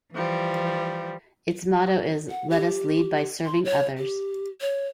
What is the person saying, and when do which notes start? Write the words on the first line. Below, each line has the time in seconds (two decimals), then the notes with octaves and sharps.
Its motto is Let Us Lead By Serving Others.
0.13 E3 F3 G3
2.30 F#5
2.50 G4
3.45 C6
3.65 C#5
3.97 G4
4.61 C#5